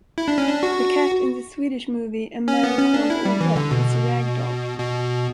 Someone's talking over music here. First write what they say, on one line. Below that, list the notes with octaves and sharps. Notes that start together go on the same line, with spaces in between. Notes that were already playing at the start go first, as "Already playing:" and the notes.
The cat in the Swedish movie "A Man Called Ove" is a ragdoll.
E4
D4
C#4
D4
F#4
C#4
B3
C#4
D4
E4
G3
E3
D3
B2
B2